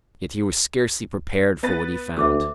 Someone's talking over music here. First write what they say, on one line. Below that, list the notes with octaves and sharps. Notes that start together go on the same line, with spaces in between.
Yet he was scarcely prepared for what he found.
B3 B4 A6
D2 E5 D6 E6